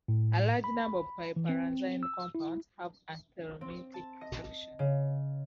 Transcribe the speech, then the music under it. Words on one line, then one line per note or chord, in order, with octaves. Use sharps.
A large number of piperazine compounds have anthelmintic action.
A2
B5
E3
C4
E6
E4
C4
A5
D#5
C#3